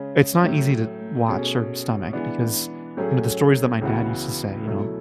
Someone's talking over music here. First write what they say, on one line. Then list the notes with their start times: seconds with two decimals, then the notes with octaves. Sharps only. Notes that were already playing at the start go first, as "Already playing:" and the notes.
it's not easy to watch or stomach because, me the stories that my dad used to say, you know,
Already playing: C#3 G#3 C#4 G#4
0.44 A2 F#3 A3
1.28 B2 A3 C#4 G#4
2.13 E3 G#3 B3 D4
2.97 A2 F#3 A3 C#4 G#4
3.81 C#2 C#3 E3 B3 F#4
4.66 B2 F#3 A3 E4